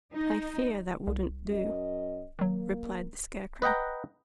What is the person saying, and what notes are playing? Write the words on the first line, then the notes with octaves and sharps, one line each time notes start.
"I fear that wouldn't do," replied the Scarecrow.
D#4
C2
F#2 D#5
D#3 F#3 A#3
B4 D#5 F#5 G5 A#5